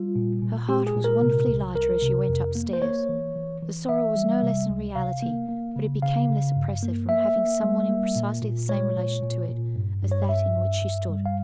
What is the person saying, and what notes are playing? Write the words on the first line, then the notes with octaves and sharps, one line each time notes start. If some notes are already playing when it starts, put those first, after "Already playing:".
Her heart was wonderfully lighter as she went up-stairs; the sorrow was no less in reality, but it became less oppressive from having some one in precisely the same relation to it as that in which she stood.
Already playing: G3 F4
A#2
A#2
G#3 G4
G#4
A#2
A#4
C3
C2
C2 A#4
C3
F2
A#3
C5
A#3 C#5
E3
E3
E3
E3 E5
G3
C3
C#2
C3 F5
A#3
A#3
C#3
C#3 F5
C#3
G2
A#3
A#3 E5
A#3
G3
A#3
A#2
A#2
G#3 C#5
A#2
A#2
A#2
G2
G2
C#5
G2 E5
G2
G2
G3
F5